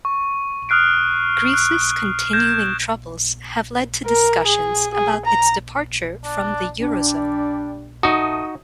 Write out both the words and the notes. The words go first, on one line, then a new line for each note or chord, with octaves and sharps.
Greece's continuing troubles have led to discussions about its departure from the eurozone.
C#6
D#6 F6 F#6 C7 D7
F#6
G6 G#6 A#6 E7
A#4
G#4
G#4
A#5
D4
G3 D4
A3 D#4 F#4 D#6